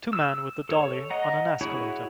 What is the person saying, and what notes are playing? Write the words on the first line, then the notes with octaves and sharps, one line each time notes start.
Two men with a dolly on an escalator.
E6
A4 C#5
D#5 F#5 A#5
E4 F#4 G#4 C#5 F#5